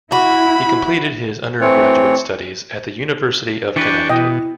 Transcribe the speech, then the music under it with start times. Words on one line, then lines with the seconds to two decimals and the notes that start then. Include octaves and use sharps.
He completed his undergraduate studies at the University of Connecticut.
0.12 E4 F#4 B5
1.61 E3 A3 C4 C#5
3.76 E3 D4 G4 B4 G5 C#6
4.09 B2 E4 D#5 G5